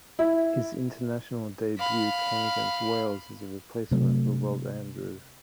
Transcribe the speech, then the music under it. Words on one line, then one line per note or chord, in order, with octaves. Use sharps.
His international debut came against Wales as a replacement for Rob Andrew.
E4
F5 B5
C3 F#3 A3